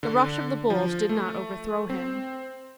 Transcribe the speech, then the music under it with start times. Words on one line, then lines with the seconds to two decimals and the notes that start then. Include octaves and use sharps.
The rush of the bulls did not overthrow him.
0.03 D3
0.70 F3
1.09 A3
1.90 C4